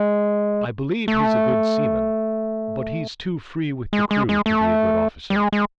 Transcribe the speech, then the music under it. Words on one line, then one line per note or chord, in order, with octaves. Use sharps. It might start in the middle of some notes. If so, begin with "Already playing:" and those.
I believe he's a good seaman, but he's too free with the crew to be a good officer.
Already playing: G#3
A3
G#3
G#3
G#3
A3
G3
G#3
G#3